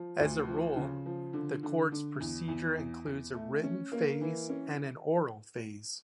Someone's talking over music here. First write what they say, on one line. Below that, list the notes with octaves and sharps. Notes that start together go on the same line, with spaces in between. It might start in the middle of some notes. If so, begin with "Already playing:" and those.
As a rule, the Court's procedure includes a written phase and an oral phase.
Already playing: F3
D2
F3
C#3
F3
D3
D3
D3
E2
E2
E2
E2
A3
C#4
A#3
E3
C#4